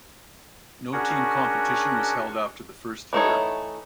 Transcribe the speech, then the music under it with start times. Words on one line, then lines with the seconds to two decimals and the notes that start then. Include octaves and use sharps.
No team competition was held after the first year.
0.93 C#4 D4 F#4 G#4 A#4 F#5
3.13 E3 A3 D#4 C#5